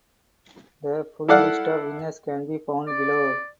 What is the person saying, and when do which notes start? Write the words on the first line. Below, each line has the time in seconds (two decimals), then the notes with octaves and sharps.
The full list of winners can be found below.
1.28 E4 A4 D5 F5 F#5
2.87 D5